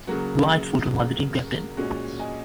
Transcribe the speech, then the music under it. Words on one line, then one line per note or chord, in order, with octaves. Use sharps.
Dwight Fulton was the team captain.
C#3 F#3 A#3 F#4
A#2 G#3 C#4 F#4
D#5 G#5